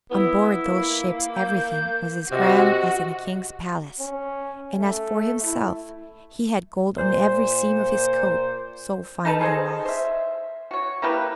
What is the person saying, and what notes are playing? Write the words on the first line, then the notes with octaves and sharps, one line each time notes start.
On board those ships everything was as grand as in a King's palace; and as for himself, he had gold on every seam of his coat, so fine he was.
B3 E4
A#3
G6
C3 F#4 D#5
C#4
A3
E4
A#2 C5
D#4 A4 B4 A5
G#4 A4 C5 D#5
C5 E5
F#4 C#5
A#3 E4 G4 B4